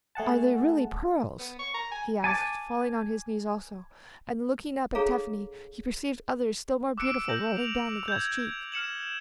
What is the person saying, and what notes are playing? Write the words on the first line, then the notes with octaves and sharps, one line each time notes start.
Are they really pearls?' he asked, falling on his knees also, and looking up at Tephany he perceived others still more beautiful rolling down the girl's cheeks.
A3 G#4 F#5 A5
B3
C#6
A#5
G#5
G#5 A5 D6
D4 G#4 A4 C#5 F5 A#5
D6 E6 F#6 C#7 D7
G6 A#6 F#7
F7
G6 G#6
F6 C#7 E7 F#7